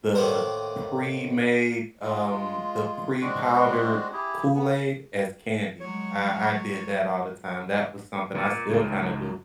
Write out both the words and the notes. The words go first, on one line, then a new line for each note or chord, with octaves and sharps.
the pre-made, um, the pre-powdered Kool Aid as candy. I I did that all the time, that was something I still kinda do.
A2 D#3 A#3 C5 F#5
G#3 F4
G#3 C4 D4 F#4
E4 G4 G#4
B3
F#3 G#3 C#5
A#2
C#2 G#2